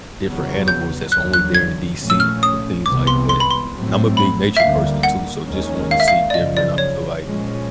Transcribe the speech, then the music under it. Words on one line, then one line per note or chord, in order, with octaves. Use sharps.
different animals that's only there in DC and things like that. And I'm a big nature person too, so just wanting to see different, I feel like
E2 C#3 F#3 B3
G6
D#2 D3 F#3 F#6
F#6
G#6
A#2 F3 A3 C#4
E6
F6
D#6
C2 C3 E3 G#3 B3 D6
C6
C6
B5
C6
A2 F#3 A3 C4
B5
E5
D2 D3 G3 A#3 F5
F#5
D#2 D#3 G#3 C#4
F5
E5
F5
D5
F#2 C#3 F3 D#5
D5
C#5
A#2 F3 G#3 C#4